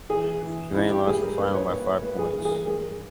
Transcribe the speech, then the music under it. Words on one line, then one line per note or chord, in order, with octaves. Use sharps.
Cavan lost the final by five points.
E3 G#4
E3
C#4 E4
G4
G2 G#4
A#4
G2 B4
C#5
A#3 B4
G2 B4
G#4
E3
G#4
A#4
G2 G#4